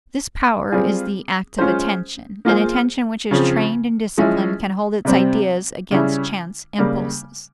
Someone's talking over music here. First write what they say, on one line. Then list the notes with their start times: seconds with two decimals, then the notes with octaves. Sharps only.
This power is the act of attention. An attention which is trained and disciplined can hold its ideas against chance impulses.
0.72 G3 C4 F4 G#4
1.58 G#3 C#4 F4 C5
2.45 A#3 F4 G#4 C5
3.31 C#3 F3 C4
4.18 F3 G#3 C#4 E4
5.05 C3 G3 C4
5.91 C#3 G3 C#4 E4
6.78 C#3 G3 A#3